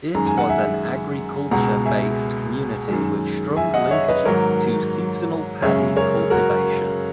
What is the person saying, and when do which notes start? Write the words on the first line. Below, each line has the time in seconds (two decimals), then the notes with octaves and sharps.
It was an agriculture-based community with strong linkages to seasonal Paddy cultivation.
0.15 F#2 D#3 G#3 A#5
0.26 G#5
0.38 F#5
0.49 E5 G#5
1.51 C#2 B2 G#3 F#5 A#5
1.86 E5 G#5
2.88 F#2 D#3 G#3
3.57 E5 G#5
3.74 D#5 F#5
3.91 C#5 E5
4.08 B4 D#5
4.25 G#2 D#3 F#3 A#4 C#5
5.62 F#2 C#3 G#3 C#5 E5
5.96 A#4 C#5
6.30 F#4 A#4